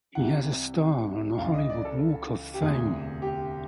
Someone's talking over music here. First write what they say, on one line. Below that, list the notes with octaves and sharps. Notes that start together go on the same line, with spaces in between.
He has a star on the Hollywood Walk of Fame.
C2 C3 E3 F#5
C#2 C#3 E3 F5
D#5
D5
A4
G4
E1 D2 C3 E3 G#4
G4